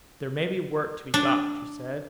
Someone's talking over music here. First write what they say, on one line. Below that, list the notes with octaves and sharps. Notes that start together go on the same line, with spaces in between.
'There may be work to be got,' she said.
D4